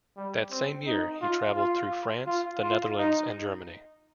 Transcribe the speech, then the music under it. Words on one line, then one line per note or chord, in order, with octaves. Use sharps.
That same year he travelled through France, the Netherlands and Germany.
G3
C4
D#4
F4
F4
F4
F4
D#4